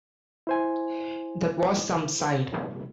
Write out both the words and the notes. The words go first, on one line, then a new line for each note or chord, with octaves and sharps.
That was some side.
E4 C5 G#5